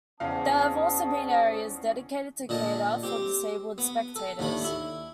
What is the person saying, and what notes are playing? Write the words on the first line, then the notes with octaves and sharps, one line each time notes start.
There have also been areas dedicated to cater for disabled spectators.
E2 G#2 C#3 C#4 D5 F5 A5 D#6
A#2 D3 D#5 A5
C4 G4
B3
A4
D#2 A2 D3 A3 B5
E4